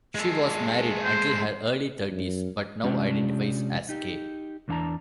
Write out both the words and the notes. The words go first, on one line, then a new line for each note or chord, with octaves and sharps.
She was married until her early thirties, but now identifies as gay.
G#3 A4
C5
F#2
C3 G#3 C#4 D4 F4 G4
D#4 G4
E2 E3 D4 F5 A5 A#5